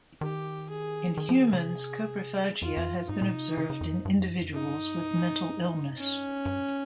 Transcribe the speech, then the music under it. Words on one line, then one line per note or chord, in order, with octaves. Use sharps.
In humans, coprophagia has been observed in individuals with mental illness.
D#3 G4
G#4
D#3 G#4
F3
D#3
C#3
C3
F2 F4
F2
G2
G#2 D#4
A#2
C3
C#3
C#3
C#3
F2
G2
G2
F2
G2
F2
G2 D#4
C#4
G2